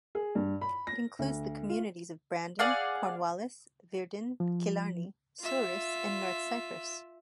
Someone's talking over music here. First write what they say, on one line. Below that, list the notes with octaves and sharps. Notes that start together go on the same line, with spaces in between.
It includes the communities of Brandon, Cornwallis, Virden, Killarney, Souris and North Cypress.
G#4
G2
B5
A#6
D2
F4
G#4 D5 F5 F#5
F3
F4 E5